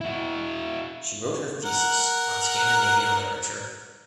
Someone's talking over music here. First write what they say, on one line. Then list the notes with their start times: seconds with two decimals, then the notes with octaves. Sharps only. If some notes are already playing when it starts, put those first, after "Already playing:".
She wrote her thesis on Scandinavian literature.
0.01 E4 F#4
1.65 A#4 F#5